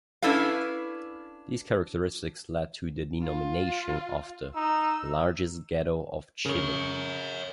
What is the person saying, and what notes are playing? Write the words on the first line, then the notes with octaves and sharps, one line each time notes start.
These characteristics led to the denomination of the "largest ghetto of Chile".
C#4 D4 E4 A4 B4 F5
F4
D#4 E6
C#3 A#4 C#5